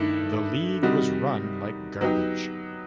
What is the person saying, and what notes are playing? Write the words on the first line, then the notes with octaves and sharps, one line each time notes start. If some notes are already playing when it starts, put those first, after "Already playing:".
The league was run like garbage.
Already playing: G2 D#3 A3 E4
C3 D#3 G3 D#4 F#4
F#3 B3 D#4 G4